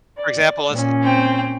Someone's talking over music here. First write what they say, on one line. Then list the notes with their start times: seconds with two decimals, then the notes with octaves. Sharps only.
For example, is eh
0.16 D5
0.70 A#2 C#4
1.02 C4 G5